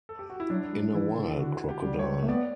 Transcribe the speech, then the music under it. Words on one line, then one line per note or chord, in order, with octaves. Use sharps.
In a while, crocodile.
A4
G4
F#4
E4
F#3 D4
G3
E3 E4
C#3
D3 F#4
G4
G3
C#5
A3
B3 D5